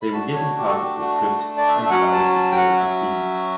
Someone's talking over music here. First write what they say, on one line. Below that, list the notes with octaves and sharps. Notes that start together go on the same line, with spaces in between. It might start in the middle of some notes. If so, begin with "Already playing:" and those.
They were given parts of the script and started to create the theme.
B5
A3 D4 F#4 A5
C#5
G4
A4
G4
F#4
F#4
D5
E5
E5
F#3 C#4 F#4 F#5
A5
A5
G5
F#5
E5